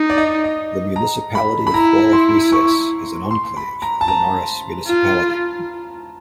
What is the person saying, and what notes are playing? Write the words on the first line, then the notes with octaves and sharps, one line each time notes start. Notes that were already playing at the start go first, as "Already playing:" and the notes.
The municipality of Hualahuises is an enclave of Linares municipality.
Already playing: D#4
D5
D#5
D#5
A#5
B5
B5
E4 A#5
C6
C#6
C6
B5
A#5
A5
A#5
F4